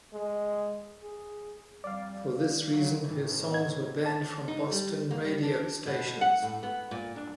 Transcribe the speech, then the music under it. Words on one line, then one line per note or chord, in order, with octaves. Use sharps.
For this reason, her songs were banned from Boston radio stations.
G#3
G#4
F2 G3 D5 F5
A#2
C#3 F#3
A2 D#3 E3
B3 D#4 G#6
D5 A5
D#4
G3
A#3
G3
D4
B2
F#5
A2
B3
A#2
D4